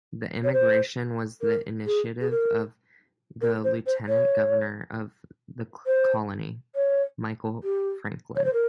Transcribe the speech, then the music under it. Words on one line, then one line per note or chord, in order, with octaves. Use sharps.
The immigration was the initiative of the Lieutenant Governor of the colony, Michael Francklin.
C#5
C5
A#4
G#4
G#4
A#4
A#4
C5
C5
C#5
C5
C#5
G4
C#5
C5
A#4